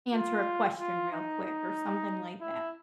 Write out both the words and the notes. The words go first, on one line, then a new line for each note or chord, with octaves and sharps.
answer a question real quick or something like that.
F4
F4
D#4
D#4
E4